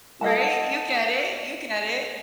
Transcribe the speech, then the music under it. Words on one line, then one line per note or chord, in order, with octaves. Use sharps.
Right? You get it, you get it.
A4 D#5 F#5 A5